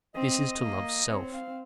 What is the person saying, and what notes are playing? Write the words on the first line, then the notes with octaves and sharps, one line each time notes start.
This is to love self.
C4 D#5
A#3
C4 C#5
F5